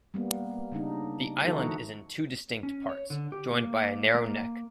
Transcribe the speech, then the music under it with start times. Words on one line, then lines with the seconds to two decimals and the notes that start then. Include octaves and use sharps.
The island is in two distinct parts, joined by a narrow neck.
0.14 G3 A#3 B3
0.72 C#3 G3 D4 D#4
1.46 D#3 F3 D#4 E4 F#4 A4
2.63 C#4
2.89 C#5
3.10 D3
3.32 G4
3.52 A#3
4.15 A#3